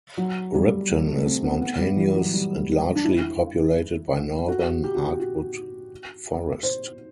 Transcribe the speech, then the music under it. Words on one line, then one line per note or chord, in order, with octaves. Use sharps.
Ripton is mountainous and largely populated by northern hardwood forest.
F#3
G3
G3
A3
C4
B3
B3
G3
E3
F#3
G3
D4
E4
F#4
G4
F#4
G4
F#4
C5